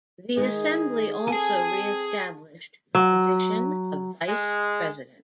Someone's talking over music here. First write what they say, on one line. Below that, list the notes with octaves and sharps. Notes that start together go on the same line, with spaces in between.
The Assembly also reestablished the position of vice president.
D#3 G#3 D#4 G#4
C4 G#4 A4 G#5
F#3
G#3